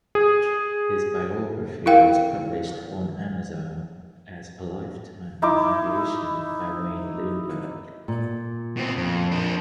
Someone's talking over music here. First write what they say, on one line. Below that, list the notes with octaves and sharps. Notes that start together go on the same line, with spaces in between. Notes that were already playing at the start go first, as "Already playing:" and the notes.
His biography was published on Amazon as "A Lifetime In Aviation" by Wayne Lundberg.
G#4
E4 A#4 F5 G5
D#4 E4 D6
A#2
B2 C4
F2
F3 D4